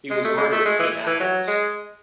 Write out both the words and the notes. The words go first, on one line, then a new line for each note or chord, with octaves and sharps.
He was murdered in Athens.
G#3
A3
G#3
A3
G#3
E3
E3
F#3
G#3